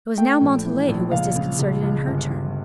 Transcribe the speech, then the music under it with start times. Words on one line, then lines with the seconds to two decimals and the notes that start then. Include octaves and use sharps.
It was now Montalais who was disconcerted in her turn.
0.17 A3 G5
0.41 A#1
0.65 E3
0.89 A#1
1.12 C#2 F5
1.36 C#3
1.59 C#2
1.83 C#2
2.06 G1
2.30 G1